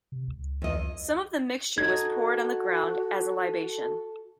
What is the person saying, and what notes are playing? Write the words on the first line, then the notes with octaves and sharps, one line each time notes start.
Some of the mixture was poured on the ground as a libation.
C3
C#2
E2 D#5
D#4 F#4 A4 G#6